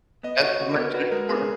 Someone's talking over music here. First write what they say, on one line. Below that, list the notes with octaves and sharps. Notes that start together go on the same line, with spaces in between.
That's what makes it important.
B3 D#5
F#4 C#5
F#4
A#4
B3
A#4
F#4 B4
G#3 A#4
B3 G#4